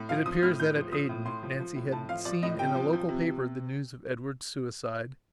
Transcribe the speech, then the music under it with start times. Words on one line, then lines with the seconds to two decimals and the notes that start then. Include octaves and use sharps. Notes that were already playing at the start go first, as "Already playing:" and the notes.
It appears that at Aden Nancy had seen in a local paper the news of Edward's suicide.
Already playing: A2
0.09 F3 F5
0.26 F3 D#6
0.43 A2 F6
0.60 A2 G6
0.76 F3
0.92 F3 D#6
1.09 A2
1.25 A2 C6
1.43 F3
1.60 F3
1.76 A2
1.92 A2 A5
2.09 F3 F5
2.25 F3 D5
2.42 A2 D#5
2.59 C3 G5
2.75 F3
2.93 F3
3.09 C3
3.26 C3